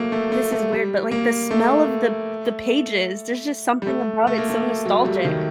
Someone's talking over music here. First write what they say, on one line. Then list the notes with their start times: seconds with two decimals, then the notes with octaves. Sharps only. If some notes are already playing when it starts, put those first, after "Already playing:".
this is weird, but, like, the smell of the the pages, there's just something about it, it's so nostalgic.
Already playing: F#3 A3 A#3
0.12 A3
0.32 A3
0.52 A3
0.72 G3
1.11 A#3
1.51 A3
3.82 G3
3.87 A3
4.27 A3
4.38 A#3
4.49 A3
4.85 F#3
5.05 G3
5.24 D#3